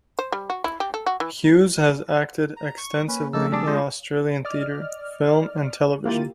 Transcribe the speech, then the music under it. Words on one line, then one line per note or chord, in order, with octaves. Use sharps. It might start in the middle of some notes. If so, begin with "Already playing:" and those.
Hughes has acted extensively in Australian theatre, film and television.
C5
G3
F#4
E4
G4
A4
F#4
E3
A#5
C#6
A#3 C#4 B4
C#3 F3 A3 A#3 C4 D#4 A5 E6
G3 D4 G#4 D5 A5 D6
G#3 F4 G6
D5 D#5 F6
A#3 E4 F4 G4 A6 D#7